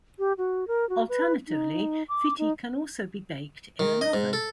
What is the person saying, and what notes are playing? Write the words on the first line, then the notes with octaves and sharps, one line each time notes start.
Alternatively, phitti can also be baked in an oven.
G4
F#4
A#4
F#4
B4
D#4
D6
D#4
D#3
D#5
G#2
A4